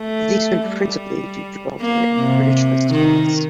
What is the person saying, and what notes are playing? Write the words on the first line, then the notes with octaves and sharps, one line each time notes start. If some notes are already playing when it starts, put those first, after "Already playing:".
These went principally to Gibraltar and the British West Indies.
Already playing: A3
G3
A#3
C3
D#3